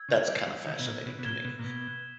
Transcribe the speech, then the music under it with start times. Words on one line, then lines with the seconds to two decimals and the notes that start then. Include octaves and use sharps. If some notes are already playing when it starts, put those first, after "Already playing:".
that's kind of fascinating to me.
Already playing: E6 G#6
0.09 C#3
0.28 G3
0.47 G3
0.66 D#3
0.79 B2
0.86 A#2
1.06 B2
1.19 B2
1.25 A#2 G#6 B6 E7 G7
1.45 B2
1.59 A#2
1.64 B2